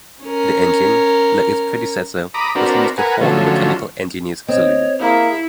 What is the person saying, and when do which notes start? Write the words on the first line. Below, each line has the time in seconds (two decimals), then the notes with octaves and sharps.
The engine, like its predecessor, was used to haul the Mechanical Engineer's saloon.
0.24 C#4 A#4
2.34 A#5 B5 D6 D#6
2.55 C4 D4 F#4 A#4 B4
2.98 A#4 B4 F#5 G#5
3.21 D3 F3 F#3 A3 C#4
4.48 C4 C#5 D#5
5.01 A#3 E4 G#4